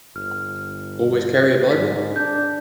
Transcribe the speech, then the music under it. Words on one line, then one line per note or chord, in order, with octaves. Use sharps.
Always carry a bible?
G1 F6
G#2 B6
D4 G6